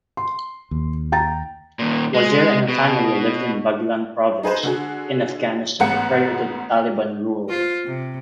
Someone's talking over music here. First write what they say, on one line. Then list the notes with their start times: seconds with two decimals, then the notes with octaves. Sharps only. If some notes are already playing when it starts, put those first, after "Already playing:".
Wazir and her family lived in Baghlan Province in Afghanistan prior to Taliban rule.
0.17 C6
0.71 D#2
1.12 G5 A#5 A6
1.79 D#2 A#2
2.14 G#3
2.68 B2
4.43 D#4 G#4 B4 C5
4.63 D3 F#4 G#4
5.80 A1 G#2 B3 F#5 C#7
7.49 F4 C5
7.86 C3